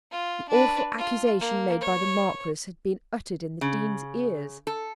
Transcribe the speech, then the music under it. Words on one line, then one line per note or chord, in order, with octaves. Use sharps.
The awful accusation made by the Marquis had been uttered in the Dean's ears.
F4
D4 B4
F4
A#3
C#5
C#3
A4